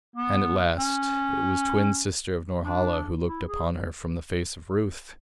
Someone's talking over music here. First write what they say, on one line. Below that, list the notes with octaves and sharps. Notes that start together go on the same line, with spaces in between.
And at last it was twin sister of Norhala who looked upon her from the face of Ruth!
B3
C#4
D4
E4
G#4